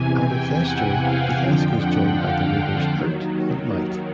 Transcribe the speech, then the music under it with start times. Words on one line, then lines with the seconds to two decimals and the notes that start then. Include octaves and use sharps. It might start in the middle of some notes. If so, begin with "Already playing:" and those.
At its estuary the Esk is joined by the rivers Irt and Mite.
Already playing: E2 C3 E3 G#5
0.27 G5
0.64 F#5
1.01 F5
1.39 F2 D3 F3 G5
1.77 F#5
2.14 F5
2.90 D#2 D#3 F#3